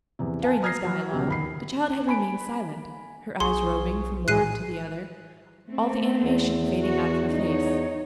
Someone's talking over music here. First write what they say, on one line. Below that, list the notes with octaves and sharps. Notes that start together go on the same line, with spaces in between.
During this dialogue the child had remained silent, her eyes roving from one to the other, all the animation fading out of her face.
E2 C3
F5 G#5 A5
A#5 D#6 F6 G#6 A#6 C7
F#3
C#2 B2 G4
D#2 B5 C7
G#5 B5 D7
B1 G#4 C6 C#6
A2 F#3 G#3 G#4 F#6 C7 D#7
A3 C4
E2
F#4
D#4 C#5